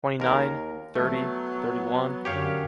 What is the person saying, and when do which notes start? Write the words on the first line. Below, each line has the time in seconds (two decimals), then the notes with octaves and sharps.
Twenty nine, thirty, thirty one.
0.20 D#2 A#4
0.95 F#3 A3 B3
2.25 F#2 D3 G4 C#5 F5